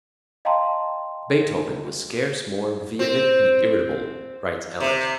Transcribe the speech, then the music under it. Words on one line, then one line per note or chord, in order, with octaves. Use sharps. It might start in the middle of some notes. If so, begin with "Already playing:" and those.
"Beethoven was scarce more vehement and irritable," writes Ehlert.
D#5 F5 G5 A5 A#5 C6
C4
C3